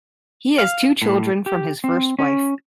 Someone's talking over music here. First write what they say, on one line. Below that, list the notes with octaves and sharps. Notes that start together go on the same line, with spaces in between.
He has two children from his first wife.
F5
A2
G4
C4
C#4